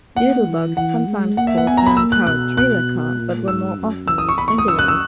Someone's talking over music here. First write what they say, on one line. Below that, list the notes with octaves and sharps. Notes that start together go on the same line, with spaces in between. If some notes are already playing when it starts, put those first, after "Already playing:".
Doodlebugs sometimes pulled an unpowered trailer car, but were more often used singularly.
A#3 F#5
E3
E3 F#5
G#3
A#3 F#5
E5
F#5
B3 G#5
A#5
B5
A#3 E6
F#6
B2 F#6
F#6
A#2
G#2 E6
F#2
E6
D#6
C#6
E2 B5
C#6
D#6
F#2 E6
F#6
E6